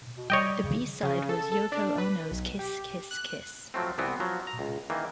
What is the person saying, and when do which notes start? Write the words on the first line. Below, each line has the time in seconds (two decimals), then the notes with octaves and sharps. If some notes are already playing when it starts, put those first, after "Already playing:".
The B-side was Yoko Ono's "Kiss Kiss Kiss".
0.17 B2
0.30 G3 C#5 D#5 G5
0.63 C#3
1.03 C#3
1.29 A4
1.52 A4
1.72 D4
1.98 B4
2.31 B1
2.59 G4
3.11 F#6
3.74 F3 F#3 A3 C4
3.98 C2 E3 B3 C4
4.20 F3 F#3
4.47 A#5
4.59 C#2
4.90 D#3 E3 A#3